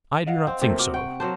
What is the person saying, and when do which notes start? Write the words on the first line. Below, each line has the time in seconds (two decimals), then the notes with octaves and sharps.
I do not think so.
0.27 D#5 F5 F#5
0.47 C4
0.61 C3 A3 A#3
0.79 F#4 D6 F6
0.94 F#5 G5 C#6
1.20 F#3 A#3 C5 A5